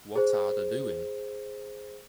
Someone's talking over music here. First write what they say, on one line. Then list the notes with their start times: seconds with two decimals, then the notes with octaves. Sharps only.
What are the doing?
0.16 G#4 C5